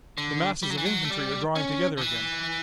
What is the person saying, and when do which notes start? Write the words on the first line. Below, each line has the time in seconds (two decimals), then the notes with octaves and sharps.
The masses of infantry are drawing together again.
0.18 D3
0.63 G3
0.70 F#3
0.78 E3
0.85 F#3
1.05 A3
1.10 G3
1.55 C#4
1.97 D3
2.01 E3